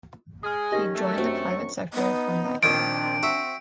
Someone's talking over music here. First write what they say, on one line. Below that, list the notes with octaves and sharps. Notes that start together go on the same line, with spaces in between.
He joined the private sector from that year.
G#3 G#4 D#6 F6
D#3 C#4 G4 D#5 A#6
A3
F#2 F#3 C4 D4 C#6
B3 D#4
A#2 D#3 F3 C4 D4 D7
F#4 E5